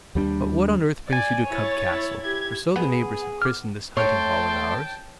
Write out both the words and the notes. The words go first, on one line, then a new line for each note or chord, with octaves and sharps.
But what on earth brings you to Cub-Castle?--for so the neighbours have christened this hunting-hall of ours.
D#2 G3 D4
D5 G#5
E4 C#5 A6
E4
E4 G4 G#6
B3 G#4
D6 F6
A3 C#5 G5 A5 C6